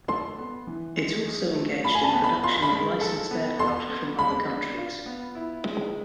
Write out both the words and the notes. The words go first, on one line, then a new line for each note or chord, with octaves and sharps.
It also engaged in production of licensed aircraft from other countries.
A4 C6
B3
E3
G#3
G#4
A3
F4 B5
G#5
A5
B3
B5
F4 C6
C6
B5
G#3
A4
B3
A4 C6
B3
G#3 B5
D4
F4
B3
E4
G#3